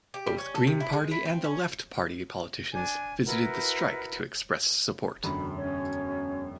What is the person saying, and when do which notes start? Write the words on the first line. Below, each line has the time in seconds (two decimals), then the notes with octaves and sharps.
Both Green Party and The Left party politicians visited the strike to express support.
0.14 G4
0.27 G3
0.38 C#4
0.55 A4
0.67 C3
0.80 E4
0.93 G#3
1.11 E4
1.25 C4
1.44 C#4
2.72 D4 G#5
3.25 E4 F#4 A#4 B4
5.24 E1 F#2 D3 B5
5.57 C#4 C#5